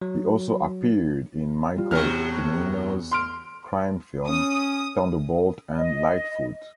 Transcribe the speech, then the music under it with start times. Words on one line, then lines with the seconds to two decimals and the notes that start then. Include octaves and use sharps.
He also appeared in Michael Cimino's crime film "Thunderbolt and Lightfoot".
0.02 F#3
1.76 G3 F4
1.91 E2 A2 C3 F#3 F6
3.11 C6 F6 D7
4.28 C#4 D#6
5.77 D#5